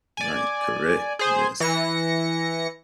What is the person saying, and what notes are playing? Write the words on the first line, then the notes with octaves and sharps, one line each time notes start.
Right, correct, yes,
D5 G#5
G#4 C5
E3 A#6 C#7